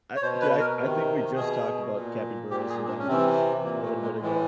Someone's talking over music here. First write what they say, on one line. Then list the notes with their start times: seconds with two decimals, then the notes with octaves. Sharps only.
I do I I think we just talked about capibaras and donkeys a little bit ago.
0.16 C#5
0.22 B2 C5
0.41 B4
0.60 A#4
0.79 C3 D#3
1.36 B2 G#4
1.93 A#2
2.50 A#2 G4
2.69 G#4
2.88 D4
2.98 C#4
3.07 C3 E3 C4
3.64 A#2 A#3
3.83 A3
4.02 G#3
4.21 A2 E3 G#3